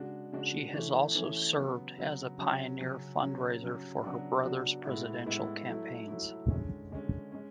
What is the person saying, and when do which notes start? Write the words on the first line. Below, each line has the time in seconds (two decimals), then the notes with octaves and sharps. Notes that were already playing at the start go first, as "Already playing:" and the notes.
She has also served as a pioneer fundraiser for her brother's presidential campaigns.
Already playing: C#3 G#3 D4 F#4
0.33 C#3 G#3 D4 F#4
0.74 E3 A3 C#4
1.15 E3 A3 C#4
1.56 C#3 F#3 B3
1.97 C#3 F#3 B3
2.38 C#3 F#3 C#4
2.79 C#3 F#3 C#4
3.20 C#3 F#3 C#4
3.62 C#3 F#3 C#4
4.03 C#3 F#3 B3 D4 F#4
4.43 C#3 F#3 B3 D4 F#4
4.85 A2 G#3 B3 E4
5.26 A2 G#3 B3 E4
5.68 F#3 A3 E4
6.08 F#3 A3 E4
6.50 D3 G#3 C#4
6.91 D3 G#3 C#4
7.32 G#3 C#4